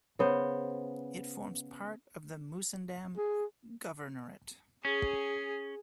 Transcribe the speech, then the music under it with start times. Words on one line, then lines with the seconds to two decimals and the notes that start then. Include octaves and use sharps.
It forms part of the Musandam Governorate.
0.19 C#3 B3 C5
3.18 G#4
4.85 C#4 G#4